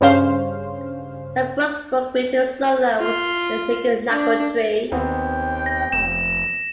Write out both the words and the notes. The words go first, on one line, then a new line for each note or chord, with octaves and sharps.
Her first book written solo was "The Nickle Nackle Tree".
G2 C#3 C#4 C5 F5
F4
D4
D#2 B3 C4 F#5 G5
A#6
F1 E7